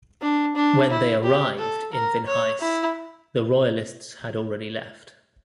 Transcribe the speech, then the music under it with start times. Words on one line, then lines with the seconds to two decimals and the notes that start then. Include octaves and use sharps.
When they arrived in Vinhais the royalists had already left.
0.21 D4
0.56 D4
0.90 E4
1.24 G4
1.59 A4
1.93 A#4
2.26 C#5
2.61 E4